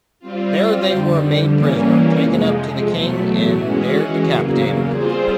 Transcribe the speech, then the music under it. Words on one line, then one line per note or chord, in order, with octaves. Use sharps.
There they were made prisoner, taken up to the king and there decapitated.
G3 C4 F4
F2 D3 G3
E3 G3 A#3 C#4
F2 C3 F3 G#3
E2 B2 F#3 A3
E3 G#3 C#4 F#4
E2 C#3 F#3 A#3
G3 C4 F4 G#4 C5